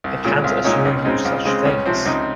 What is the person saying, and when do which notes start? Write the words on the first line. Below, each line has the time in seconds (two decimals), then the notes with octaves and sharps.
I can't assure you such things.
0.04 C2
0.24 A#2 G#3 C#4
0.44 C2 F4
0.64 A#2 G#3 C#4 D#4
0.85 C#2 C#4
0.97 C#4
1.05 C#3 G#3 C4 D#4
1.25 C#2 F4
1.45 C#3 G#3 C4
1.65 C#2 C#4
1.86 C3 F3 C4
2.06 C#2 D#4